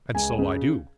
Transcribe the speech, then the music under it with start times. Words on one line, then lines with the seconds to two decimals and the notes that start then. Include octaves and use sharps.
'And so I do.
0.14 C#2 G#5
0.39 C#3